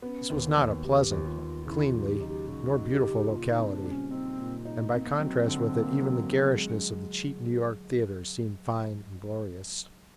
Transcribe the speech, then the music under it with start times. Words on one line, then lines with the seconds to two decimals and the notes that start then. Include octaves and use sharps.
This was not a pleasant, cleanly, nor beautiful locality, and by contrast with it, even the garishness of the cheap New York theatre seemed fine and glorious.
0.02 B3 C#4
0.30 D#2
0.44 F#4
0.57 D#2
0.84 D#2 G4
1.11 D#2
1.26 F4
1.39 D#2
1.66 C#3 E4
1.86 F4
1.93 F#3
2.07 G4
2.21 D#4
2.27 G4
2.47 C#3 F#4
2.75 D#4
2.88 G4
3.02 C#3
3.29 A#2 F4
3.50 D#4
3.56 C4
3.70 D4
3.84 G3
3.91 C#4
4.11 C4 D#4
4.38 A#2
4.65 D#4
4.93 A#3 C4
5.05 B3
5.17 F#3 C4
5.47 D3
5.75 A#3
6.01 F#3
6.29 F#3
6.56 G#3 C4
6.67 C#4